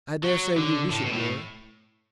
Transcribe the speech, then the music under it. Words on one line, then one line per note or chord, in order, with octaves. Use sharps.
"I dare say you wish it were."
F#3
D3
A2
B2
A2